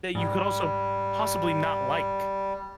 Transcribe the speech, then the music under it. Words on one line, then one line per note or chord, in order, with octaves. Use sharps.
That you could also possibly not like.
G#2 G3